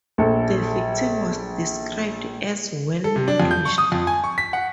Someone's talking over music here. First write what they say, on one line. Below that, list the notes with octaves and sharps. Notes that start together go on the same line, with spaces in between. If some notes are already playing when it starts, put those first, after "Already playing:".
The victim was described as "well nourished".
A#1 A4
A4
C3
D4
F2
G6
C#6
D#6
F2
G#5
C#6
B6
F#5